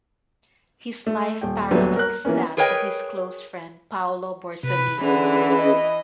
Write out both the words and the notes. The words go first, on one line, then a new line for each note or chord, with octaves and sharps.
His life parallels that of his close friend Paolo Borsellino.
A3
D#1 G5
D#1 D2 F#3 A3 B3
A#4 F#6
E3 A#3 B3 C#4
G#4 A#4 B4 C#5 D#5 G5
C3 B4 B5
D3 E3 C#4 G#4 B4 B5
D#5